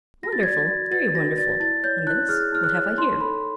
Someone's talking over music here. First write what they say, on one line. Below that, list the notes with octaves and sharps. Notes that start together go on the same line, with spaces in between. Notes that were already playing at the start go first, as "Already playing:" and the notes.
Wonderful, very wonderful!--And this--what have I here?
F#4 A#6
A6
D5 G#6
A6
F#4
B4 A6
F#4 A#6
D5 A6
E4 A6
C#5 G6
E4 F#6
G#4 F6
E4 F6
F#6
C#5
D#4 C6
A4 B5